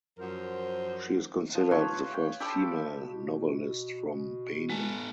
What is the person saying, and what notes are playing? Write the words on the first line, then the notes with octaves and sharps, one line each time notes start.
She is considered the first female novelist from Benin.
F#2 F3 A#4 C5
F3
F4 G4 B4 C#5
G5
G4 A4 B5 D6
B2
G#3 B3 A4